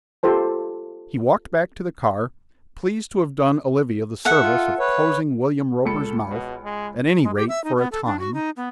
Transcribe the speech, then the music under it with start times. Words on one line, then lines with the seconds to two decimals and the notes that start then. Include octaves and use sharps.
He walked back to the car, pleased to have done Olivia the service of closing William Roper's mouth, at any rate for a time.
0.23 F4 G4 A4 C5 A5
4.25 A4 E5 F#5
4.42 F4
4.79 B4 C#5
5.86 C#2 A4 B5 C#7
6.29 B2
6.64 G#3
7.23 G#3
7.36 G4
7.49 E5
7.64 D#4
7.77 B3
7.92 A4
8.05 D4
8.19 F#4
8.34 D#4
8.57 B3